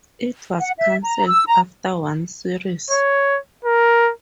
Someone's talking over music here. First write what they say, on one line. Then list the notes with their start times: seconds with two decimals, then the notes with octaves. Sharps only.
It was cancelled after one series.
0.60 F#5
0.78 E5
1.03 A#5
1.27 E6
1.48 A#5
2.90 C#5
3.65 A#4